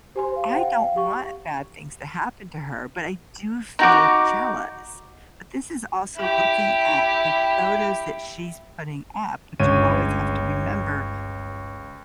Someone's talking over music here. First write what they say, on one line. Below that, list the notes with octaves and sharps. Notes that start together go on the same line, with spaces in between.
I don't want bad things to happen to her, but I do feel jealous. But this is also looking at the photos that she's putting up, which you always have to remember
G4 C5 G#5 C6
F5
C5 F#5 G5
G4 C#6
D#4 F#4 D6
E4 G4
G1 C#2 G2 D3 C#5 D#7